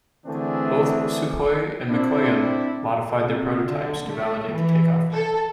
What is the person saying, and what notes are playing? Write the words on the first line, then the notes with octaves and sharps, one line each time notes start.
Both Sukhoi and Mikoyan modified their prototypes to validate the takeoff ramp.
D3 E3 A3 C4 D4 G#4
C4 D4 E4
C3
D3
A3
E3
A4